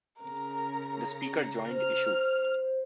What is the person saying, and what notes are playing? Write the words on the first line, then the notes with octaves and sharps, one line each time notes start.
The Speaker joined issue.
C#3 A#4 A#5
C5 F6